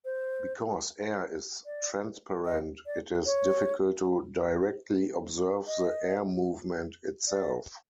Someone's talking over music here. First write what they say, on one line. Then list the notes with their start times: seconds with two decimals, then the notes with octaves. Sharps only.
Because air is transparent it is difficult to directly observe the air movement itself.
0.05 C5
1.66 D5
2.45 D#5
2.86 D5
3.26 C#5
5.67 D#5
7.28 D5